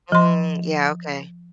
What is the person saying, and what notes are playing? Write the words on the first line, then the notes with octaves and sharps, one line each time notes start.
Mm, yeah, okay.
F3 C6